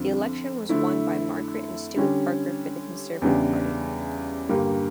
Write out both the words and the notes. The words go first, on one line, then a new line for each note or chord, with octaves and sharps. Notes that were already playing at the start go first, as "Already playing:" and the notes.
The election was won by Margaret and Stuart Parker for the Conservative Party.
Already playing: F2 D3 F3
D3 A3 E4
D3 G3 C#4
E2 C#3 G3 D4
G2 D3 G3 A#3